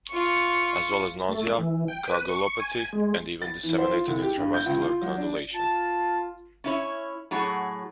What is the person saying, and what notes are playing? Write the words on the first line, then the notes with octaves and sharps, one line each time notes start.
As well as nausea, coagulopathy, and even disseminated intravascular coagulation.
F4 C#6
A3
E3
G5
B4
C#6
G#5
G#3
A6
E3
C5
F4
C2
G4
G2
G6
C#2
F4
F#3
D4
F4 A5
C#4 E4 C#5
A2 F#3 F#4 G#4